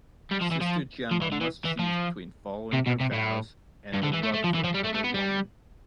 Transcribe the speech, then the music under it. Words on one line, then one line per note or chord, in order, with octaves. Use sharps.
Sister Gemma must choose between following her vows and her love for another woman.
G3
F3
E3
F3
F3
E3
D3
E3
E3
F3
C3
B2
C3
A2
G2
D3
E3
A3
A3
F3
E3
F3
G3
A3
A3
B3
G3